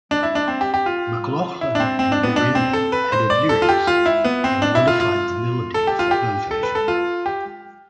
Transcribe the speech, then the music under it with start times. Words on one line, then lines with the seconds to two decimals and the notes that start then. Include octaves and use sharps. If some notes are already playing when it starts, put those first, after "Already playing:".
McLachlan and Merenda added lyrics and modified the melody for her version.
0.11 D4
0.23 E4
0.35 D4
0.48 C4
0.61 G4
0.74 G4
0.86 F4
1.61 E4
1.75 D4
1.80 C4
1.99 C4
2.12 D4
2.23 B3
2.36 D4
2.55 C4
2.73 A4
2.92 B4
3.12 C5
3.30 D5
3.49 A4
3.62 F4
3.69 G4
3.87 F4
4.06 E4
4.24 B3
4.44 C4
4.62 D4
4.75 E4
4.87 F4
5.00 F4
5.74 A4
5.87 G4
5.99 F4
6.11 G4
6.51 A4
6.63 B4
6.75 A4
6.88 F4
7.26 G4